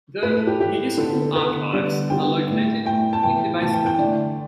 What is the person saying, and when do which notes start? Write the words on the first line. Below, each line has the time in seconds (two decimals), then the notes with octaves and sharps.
The municipal archives are located in the basement.
0.23 A2 A3 B4
0.35 A4
0.47 G4
0.60 A2 A3 G4
0.97 D3 B3 A4
1.35 D3 B3 B4
1.72 D3 G3 B3 D5
2.10 D3 G3 B3 G5
2.48 A2 A3
2.85 A2 A3 G5
3.13 A5
3.23 A2 E3 A3 G5
3.61 A2 E3 A3 A5
3.73 G5
3.86 G5
3.98 D3 A3 D5